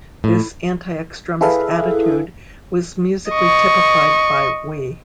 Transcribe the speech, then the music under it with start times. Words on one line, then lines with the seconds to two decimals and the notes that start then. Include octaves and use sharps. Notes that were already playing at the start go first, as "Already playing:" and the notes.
This anti-extremist attitude was musically typified by Oi!
0.24 A2
1.41 E4 G#4 A4 B4 E5 F5
3.31 D#5 C#6